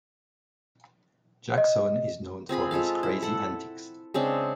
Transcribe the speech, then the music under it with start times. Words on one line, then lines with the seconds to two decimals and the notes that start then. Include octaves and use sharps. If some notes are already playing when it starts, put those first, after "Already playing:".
Jaxson is known for his crazy antics.
1.58 D#5
2.49 C4 F4 G#4 B5
2.71 G#3 F4 A4 F5
3.03 E4
3.22 A4 F#5
4.14 C#3 G#3 C4 D4